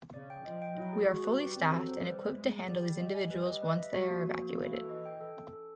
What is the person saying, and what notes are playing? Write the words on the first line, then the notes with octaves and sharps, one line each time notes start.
We are fully staffed and equipped to handle these individuals once they are evacuated.
C#3 D5
G5
F3 D#5
G5
F#3 E4
G#4
G#3 F#4
B4
G3 G4
C4
F#3 A4
C5
G3 B4
E5
G#3 E4
G#4
G3 D5
G5
G3 D#5
G#5
G3 B4
D#5
B4
E5
G3 F#4
A#3
F3 F#4
A#3
E3 F#4
A4
D#5
G5
A4
C#4
A4